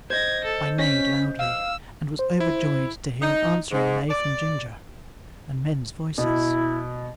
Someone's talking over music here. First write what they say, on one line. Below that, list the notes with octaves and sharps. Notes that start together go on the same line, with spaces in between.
I neighed loudly, and was overjoyed to hear an answering neigh from Ginger, and men's voices.
C5 D#5 G#6 A#6
A4
C#4 B6
F5 E6
C5
E4
D#4
G#2
D5
B2 E4